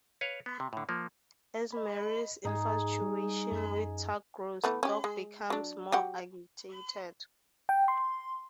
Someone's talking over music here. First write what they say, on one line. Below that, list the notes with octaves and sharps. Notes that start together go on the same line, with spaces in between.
As Marie's infatuation with Turk grows, Doc becomes more agitated.
B4 C#5 F5
B3
C3
A2 D3
F3 A#3
D#5 B5
G#2 D#4 G#4
G3
F#2
E3 A3 B3
C#4 G4
G#3
F#3 D4
F#3 G4 F#5
G5
C6